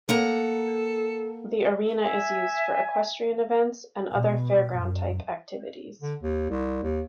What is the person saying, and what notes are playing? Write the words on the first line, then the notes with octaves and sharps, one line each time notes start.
The arena is used for equestrian events, and other fairground type activities.
A#3 A4 F#5 A#5
E5 G#5
B2
F#2
D3
D#2
C2
D#2